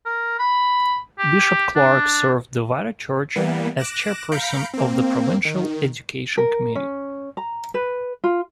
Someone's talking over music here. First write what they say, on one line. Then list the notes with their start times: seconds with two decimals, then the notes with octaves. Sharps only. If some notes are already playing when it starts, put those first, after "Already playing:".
Bishop Clarke served the wider church as chairperson of the Provincial Education Committee.
0.05 A#4
0.39 B5
1.19 G4
1.76 D4
3.36 E3 G3 A#3 B3
3.77 D6 F#6 A#6 E7
4.32 F5 A#5 B5 G6 C#7 D7
4.73 A#3 C4
5.45 D#3
6.37 A#4
6.75 C#4
7.37 A#5
7.74 B4
8.24 F4